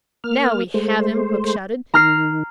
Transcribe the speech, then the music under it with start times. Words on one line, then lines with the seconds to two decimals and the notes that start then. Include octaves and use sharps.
"Now we have him," Hook shouted.
0.24 A#3 F6
0.74 G#3 A3 C5
1.94 D#3 A#5 F6 C7